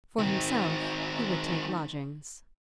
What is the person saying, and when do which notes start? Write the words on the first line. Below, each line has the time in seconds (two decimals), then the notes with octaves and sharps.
For himself, he would take lodgings.
0.19 D#3 C4